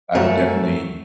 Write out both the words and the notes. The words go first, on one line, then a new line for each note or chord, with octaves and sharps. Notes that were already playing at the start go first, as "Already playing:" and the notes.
I would, definitely,
F#2 A3